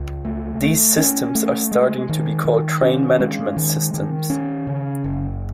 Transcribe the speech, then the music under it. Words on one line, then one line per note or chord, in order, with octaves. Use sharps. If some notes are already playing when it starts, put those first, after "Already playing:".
These systems are starting to be called train management systems.
Already playing: C#2
A3
A3
C#4
A3
G#3
D#3
D#3
C#4
G#3
D#3
D#3
C#4
C#3
F#1